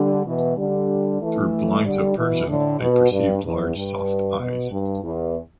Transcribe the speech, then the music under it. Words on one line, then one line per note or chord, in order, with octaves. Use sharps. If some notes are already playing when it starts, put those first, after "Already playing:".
Through blinds of persian, they perceived large soft eyes.
Already playing: D3 G3
B2 E3
D3 G3
E3 A3
D3 G3
B2 E3
A2 D3
B2
G2
E2
G2
B2
G2
E2